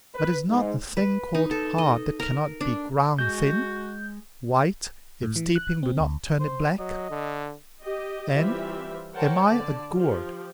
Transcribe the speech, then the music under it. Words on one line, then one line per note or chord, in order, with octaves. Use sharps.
But is not a thing called hard that cannot be ground thin; white, if steeping will not turn it black? And am I a gourd?
B4
G#2
B4
D#4
A4
D#5
A#4
D4
G#3 F#4 G6
A2
E3
F#6
C4
D2
C5
F#3 D#5
D3
G4 D#5
E3 G3 C4 F4 G4 E5
A#4 C5 C#5 F#5 G5 A5
D3 D5 A5
F3 G4